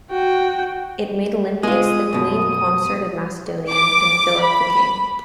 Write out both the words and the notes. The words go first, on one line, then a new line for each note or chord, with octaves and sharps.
It made Olympias the queen consort of Macedonia, and Philip the king.
F#4 G5
G#3 F4 D#6
F#2 B2
D6
B5